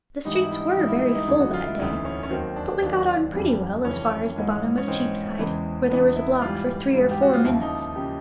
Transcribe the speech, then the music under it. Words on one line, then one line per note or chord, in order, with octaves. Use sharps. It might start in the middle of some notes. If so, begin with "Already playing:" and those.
The streets were very full that day, but we got on pretty well as far as the bottom of Cheapside, where there was a block for three or four minutes.
G#2 E3 G3 D#4
E4
D#4
E4
D#4
E4
G#2 E3 G3 D#4
E4
D#4
E4
D#4
D2 C#3 E3
F#4
F4
E4
D2 C#3 E3 D#4
C#4
C#4
D#2 D#3 F#3 C4
D4
D#2 D#3 F#3 D4
F2 C#3 E3 G3
F2 C#3 E3 G3 C#4
G#2 E3 G#3
C#4
G#2 E3 G#3 C4
E2 C#3 E3 G#3
E2 C#3 E3 G#3 B3
E4
G#2 E3 G3 F4
G#2 E3 G3
G4
F#4
F4
D#2 C#3 F3 E4
D#4
C#3 F3 G4